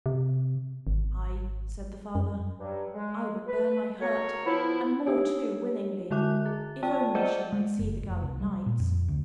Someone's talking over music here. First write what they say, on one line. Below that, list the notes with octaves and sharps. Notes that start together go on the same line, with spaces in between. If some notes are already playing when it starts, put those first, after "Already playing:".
"Aye," said the father, "I would bear my hurt, and more too, willingly, if only she might see the gallant knights."
C3
G#1
F#2
G2 F#3
G#3
B4
C#3 F#3 A4 A#4 C#5
F3 B3 E4
D4 D#4 G4 C#5
D3 G#3 F#4 E5 D6 F#6
G#4
C4 F4 D5 G5 A5
G#4 C5 D5 D#5 F#5 G6
G#3
F#1
F1
C2
G3
A#2
F2
D2